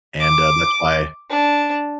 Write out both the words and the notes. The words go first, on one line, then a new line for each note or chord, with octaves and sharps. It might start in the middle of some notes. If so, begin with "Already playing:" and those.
and, uh, that's why
D6
D4